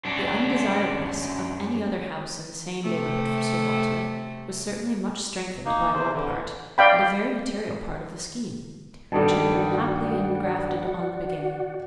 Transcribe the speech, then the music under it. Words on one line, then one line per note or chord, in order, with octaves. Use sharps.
The undesirableness of any other house in the same neighbourhood for Sir Walter was certainly much strengthened by one part, and a very material part of the scheme, which had been happily engrafted on the beginning.
F#2 D4
C3 A3
A#3 D#4
E2 C3 C5
D3 E3
D5 F5 G5 B5
G2 D#3 G3 F#4 A4 D5 F#5 A5